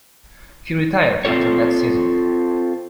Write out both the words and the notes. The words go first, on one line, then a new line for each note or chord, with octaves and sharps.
He retired after that season.
C4 F4 A4 C#5